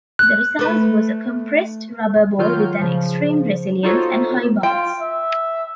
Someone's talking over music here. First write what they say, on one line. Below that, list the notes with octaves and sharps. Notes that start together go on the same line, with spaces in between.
The result was a compressed rubber ball with an extreme resilience and high bounce.
F#6
A3 B4
D#3 F#3 F4 F6 G6
C#3 F3
D#4 F4 F#4 A4 C5 C#5
F4 G5
E5